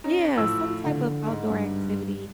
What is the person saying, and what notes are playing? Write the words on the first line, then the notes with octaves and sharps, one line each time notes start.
Yeah, some type of outdoor activity
C#4 D#4
A2 F3 E6
D3
G#2
G2